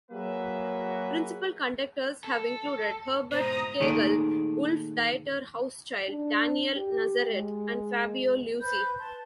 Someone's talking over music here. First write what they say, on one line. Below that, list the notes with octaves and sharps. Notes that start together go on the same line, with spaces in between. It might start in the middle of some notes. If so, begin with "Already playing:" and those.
Principal conductors have included Herbert Kegel, Wolf-Dieter Hauschild, Daniel Nazareth and Fabio Luisi.
F#3 A#3 F#4 G#4 B4 E5
A4
G#2 B2 C5 A#5 D#6
A#2 D#3 A3 G#4 D5
D4
G4
G#3
B4 C5 G6
A5 C6